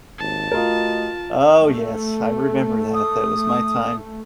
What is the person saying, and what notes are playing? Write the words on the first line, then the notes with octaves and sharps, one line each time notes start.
Oh, yes, I remember that, that was my time.
G#1 D#2 A5
A3 F4 F#4 A#4 D#5
A3
D#6